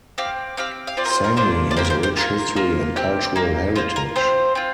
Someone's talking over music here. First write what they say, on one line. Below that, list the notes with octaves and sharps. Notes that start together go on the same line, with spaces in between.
Sangli has a rich history and cultural heritage.
C4 G4 F5
C4 G4 F5
F5
C4 F4 D5
A#4
C5
A#4
A#3 D4 F4 C5
D5
A#3 G4 C5
A#4
C5
C5
A#3 F4 A#4
A#3 F4
C4 G4
A#3 G4
A#3 F4 C5
A#4
C4 F4 C5
C4 F4